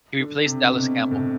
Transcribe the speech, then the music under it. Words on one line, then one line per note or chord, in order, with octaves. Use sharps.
He replaced Dallas Campbell.
D3
C3
C3
B2
A2
B2